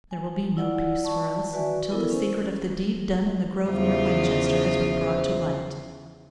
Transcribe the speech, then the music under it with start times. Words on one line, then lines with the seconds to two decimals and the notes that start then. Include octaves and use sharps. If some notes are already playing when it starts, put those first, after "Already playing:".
"There will be no peace for us until the secret of the deed done in the grove near Winchester has been brought to light."
0.11 G#5
0.57 E4 F4 D5 F#5
1.02 D5 A5 C#6
1.53 F#4 B4 D5 E5 G#5
1.92 B3 E4 A4 A#4
2.10 C#4 C5
3.69 E2 C#3 F4 C5 E5